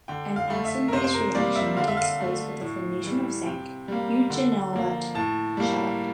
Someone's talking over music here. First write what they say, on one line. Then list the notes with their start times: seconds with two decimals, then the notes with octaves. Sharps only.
An acid-base reaction takes place with the formation of zinc eugenolate chelate.
0.08 D3 G5
0.36 F5
0.50 A3
0.65 E5
0.88 A#4
0.92 C3 C5
1.04 C5
1.14 A#4
1.35 G3 A#3 D5
1.56 E5
1.77 D3 F5
1.88 E5
1.97 F5
2.20 A3
2.61 A2
3.03 E3 G3
3.46 C3 G5
3.88 G3 A#3
4.30 D3
4.73 F3 A#3
5.15 A2 A5
5.57 G3 A#3